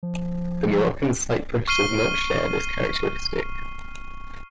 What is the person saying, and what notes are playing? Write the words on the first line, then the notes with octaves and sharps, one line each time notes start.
The Moroccan cypress does not share this characteristic.
F3
C#6 F6 C7 D#7 G7